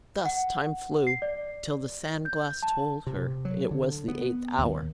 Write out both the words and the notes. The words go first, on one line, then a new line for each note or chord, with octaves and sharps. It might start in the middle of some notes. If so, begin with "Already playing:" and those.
Thus time flew, till the sand-glass told her it was the eighth hour.
F#5
C7
D5
G6
A5
C3
F#3
D3
B3
D#2